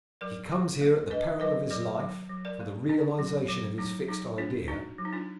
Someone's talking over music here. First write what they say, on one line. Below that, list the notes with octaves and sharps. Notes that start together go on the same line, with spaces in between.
He comes here at the peril of his life, for the realization of his fixed idea.
F#3 A#4 D5
F#3
A#3
D4 B4 D#5
F#3 B4 D#5
F#3 A#4 D5
F#3
F#3
A#4 D5
A#3
D4 D#4
F#3
F#3
F#3 D#4
F#3 D#4
A#3 D4 F4
D4 D#4 F#4
F#3
D#4
D4 F4